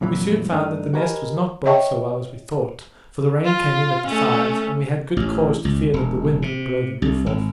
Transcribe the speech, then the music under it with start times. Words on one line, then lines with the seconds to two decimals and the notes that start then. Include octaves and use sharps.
We soon found that The Nest was not built so well as we thought, for the rain came in at the sides, and we had good cause to fear that the wind would blow the roof off.
0.01 F2 A#2 E3 F#3
0.52 G2 A3 D4 D#4
0.93 F#4 G4 A#4 B4 D#5 G#5
1.66 C#5 D#5 E5 G5 A5 C#6
3.45 F4
4.06 A3 C#4
5.17 A1
5.65 C#2
5.94 E1
6.42 C3
7.02 C2
7.26 G#1